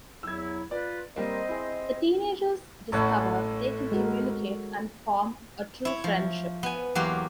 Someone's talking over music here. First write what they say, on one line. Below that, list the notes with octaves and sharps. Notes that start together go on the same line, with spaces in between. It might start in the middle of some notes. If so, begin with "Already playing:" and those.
The teenagers discover they can communicate and form a true friendship.
E2 F#3 E4 E6 G#6
F4 B4 D5
G3 A#3 C4 C5 D#5
E4 G#4
A1 A2 A4 C#5 F#5
G#3 F#4 A#4
E4 C#5
F3
B3 G#5
E2 F#3 A#3 F#4 G4 C6